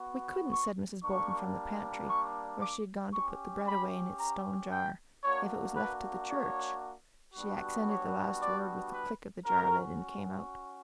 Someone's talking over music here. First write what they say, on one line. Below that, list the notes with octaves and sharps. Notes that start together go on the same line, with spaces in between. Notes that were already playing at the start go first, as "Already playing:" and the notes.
"We couldn't," said Mrs. Bolton from the pantry, where she had gone to put the bread away in its stone jar, "if it was left to the church." She accented the last word with the click of the jar lid, and came out.
Already playing: B3 F#4
C#6
G3 A#3 D4 C#6
C#6
D6
C#4 G4 C#6
B5
A#5
G5
A#3 D4 F#4 C#5
B4
C#5
G3 B3 D4 F#4
C#5
D5
B4
C#4 F#4 A#4